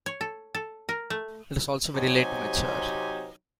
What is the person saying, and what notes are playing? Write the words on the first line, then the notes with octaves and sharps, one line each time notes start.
It is also very late to mature.
C#5
A4
A4
A#4
A3
C3 F#3 C4 D#4 G4 G#5